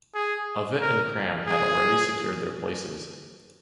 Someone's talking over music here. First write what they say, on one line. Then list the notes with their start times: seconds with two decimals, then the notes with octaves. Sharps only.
Ovett and Cram had already secured their places.
0.14 G#4
0.81 A#4
1.47 G#4